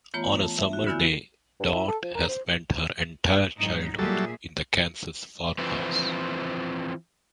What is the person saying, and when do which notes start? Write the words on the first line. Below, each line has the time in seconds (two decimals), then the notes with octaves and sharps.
On a summer day, Dot has spent her entire childhood in the Kansas farmhouse.
0.14 E3 A3 B3 F4 C#5 A#5
0.41 A5
0.58 E5
0.73 F#4
0.87 D3 B3 E4 G#5 F#6 G6
1.60 G2
1.72 E4
1.88 A4
2.03 F3
2.15 A#4
2.28 C5
3.57 G#2 F#3 D#4
3.99 A#2 F#3 G3 G#4 A4 E5
5.59 E3 F3 C4 B4